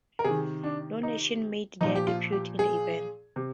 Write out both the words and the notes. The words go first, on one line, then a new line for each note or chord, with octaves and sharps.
No nations made their debut in the event.
A#4
C3 D#3 G#4
D4
D#4
A#2 F3 D#4
G4
F4
G4
G#4
C3